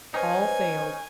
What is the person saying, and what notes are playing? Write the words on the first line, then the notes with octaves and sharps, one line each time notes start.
All failed.
C#4 D#4 B4 C5 D#5 G#5